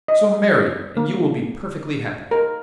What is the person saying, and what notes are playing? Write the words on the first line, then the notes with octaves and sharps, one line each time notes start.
So marry, and you will be perfectly happy.'
D#5
A#3
A#4